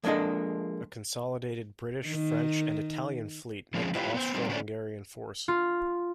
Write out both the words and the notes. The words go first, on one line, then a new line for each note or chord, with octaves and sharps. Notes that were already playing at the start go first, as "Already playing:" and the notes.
A consolidated British, French and Italian fleet met the Austro-Hungarian force.
F3 G#3 A#3 D4 A4 D#5
D#3
D3 F3 G#3 C4 C#4 G#4
E4 F4 G4 B4
B3 C5
G3 C4 D#4 C5
D3 C#4 F#4 B4 C5 D5
F4